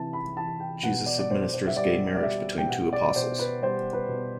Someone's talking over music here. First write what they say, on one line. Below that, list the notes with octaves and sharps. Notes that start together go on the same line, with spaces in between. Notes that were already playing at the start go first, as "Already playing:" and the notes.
Jesus administers gay marriage between two apostles.
Already playing: C3 E3 A5
B5
E3 A5
G5
B2 F#5
D5
D5
B2 C5
C5
E5
G3 D5
D5
G3 E5
G5
B2 F#5
D5
B2 C5
B4
G3 C5
B4
B2